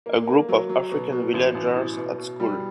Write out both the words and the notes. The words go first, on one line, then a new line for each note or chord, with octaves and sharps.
A group of African villagers at school.
A#3
A#3
F#3
F#3
B2
B2
A1
A1
E3
B2
B2
G3